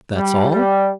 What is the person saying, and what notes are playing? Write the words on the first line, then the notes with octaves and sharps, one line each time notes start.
"That's all?"
G3
G3